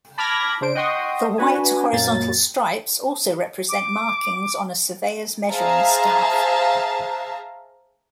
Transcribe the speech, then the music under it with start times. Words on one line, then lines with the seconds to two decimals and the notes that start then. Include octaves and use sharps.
The white horizontal stripes also represent markings on a surveyor's measuring staff.
0.18 A5 B5 D6 F6 G#6 A#6
0.61 C#3 D4 C5 D7
0.75 D#5 F#5 G5 C6 C#6 D#6
1.38 D4 F#4 B4 G#5
1.92 F#2 A#2 A#3 A6
3.69 D6
5.50 G#4 C5 E5 F5 A5 A#5